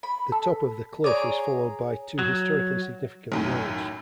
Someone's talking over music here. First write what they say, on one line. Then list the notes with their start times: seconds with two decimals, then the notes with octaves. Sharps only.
The top of the Cliff is followed by two historically significant roads.
0.03 B5
0.32 A4
1.04 G#4 C#5 D5 A#5 D7
2.19 F#3
3.32 B1 F#2 A2